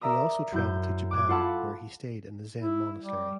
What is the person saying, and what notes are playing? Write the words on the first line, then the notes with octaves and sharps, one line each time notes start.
He also traveled to Japan, where he stayed in a Zen monastery.
A#4 D5 E5 A#5 D#6
F#2 E4 G6
D6 F#6 G#6
F4 A4 F#5 A5 B5
E4
G3